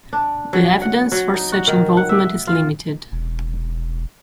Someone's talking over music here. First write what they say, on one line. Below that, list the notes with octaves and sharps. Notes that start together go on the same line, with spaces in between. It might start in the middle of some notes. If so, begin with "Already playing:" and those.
The evidence for such involvement is limited.
D4
F#3
F#5
F#3
D#4
F#4
D#3
F#5
E5
F4
E1